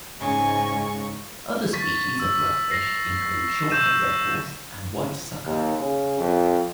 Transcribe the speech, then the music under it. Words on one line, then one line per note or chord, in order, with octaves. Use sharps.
Other species of rough fish include Shorthead Redhorse and White Sucker.
G#2 C#3 G#5 C#6
C#6 A6 B6
E6
A#6 C7
B6
C#6 E6 G6 D#7 E7
D#2
C#3
F2